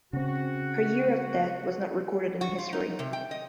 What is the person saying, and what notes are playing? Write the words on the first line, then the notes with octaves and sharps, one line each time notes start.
Her year of death was not recorded in history.
C#3 C4 F#4
F#4
F4
D#4
C3
G5
D#5